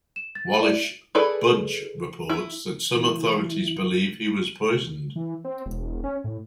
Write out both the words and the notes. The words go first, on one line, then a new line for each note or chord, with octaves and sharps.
Wallis Budge reports that some authorities believe he was poisoned.
E7
A6
E4 D5 E5
E4 G#4 A4 B4 D5
E4
E3
E3
C4
E1
C#4
A2